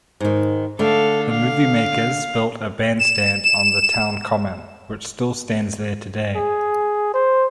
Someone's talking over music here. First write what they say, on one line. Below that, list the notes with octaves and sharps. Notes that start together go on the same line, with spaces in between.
The moviemakers built a bandstand on the town common, which still stands there today.
G#2 D#3
D3 A3 A4 F5
F5
E7
E7
G#4
C5